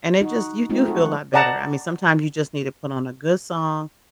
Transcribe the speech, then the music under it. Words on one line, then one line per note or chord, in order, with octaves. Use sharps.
And it just you do feel lot better, I mean, sometimes you just need to put on a good song
D#4 F#4
G#3 A3 C4 D#4 F4
F#4 A4
F3
D5 F#5 A5 A#5